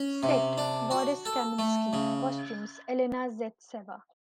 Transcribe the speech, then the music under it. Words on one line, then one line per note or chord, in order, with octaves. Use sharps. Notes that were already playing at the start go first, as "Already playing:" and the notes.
Set: Boris Kaminsky, Costumes: Elena Zaitseva.
Already playing: C#4
C3
D4
F#4
A4
A3
C#3